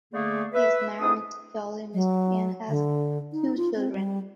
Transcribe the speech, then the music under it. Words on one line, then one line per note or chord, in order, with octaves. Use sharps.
He is married to Dolly Misri and has two children.
D3 A3 A#3 G#4
B4 E5
G#2 C4 D4 E4 D#6
F#3
D3
D#4
F4
C4
G3